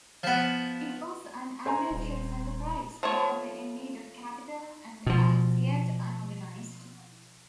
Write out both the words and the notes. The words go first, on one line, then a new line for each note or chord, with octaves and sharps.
It was an ambitious enterprise, badly in need of capital, and as yet unorganized.
F3 B3
C5 G#5 A#5
D#1
F3 A3 C#5
B2 F3